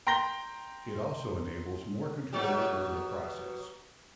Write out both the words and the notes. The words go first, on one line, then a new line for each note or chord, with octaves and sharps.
It also enables more control over the process.
G5 A#5 C6 A#6 G7
B2 F#3 G4